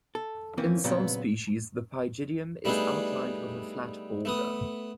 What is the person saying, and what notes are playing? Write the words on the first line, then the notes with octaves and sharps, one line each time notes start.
In some species the pygidium is outlined with a flat border.
A4
E3 A#3 C4 C#4
A#2 C#3 F#3 B3 C4
G3 A3 B3 D4 D#4 G#4
A3 B3 D#6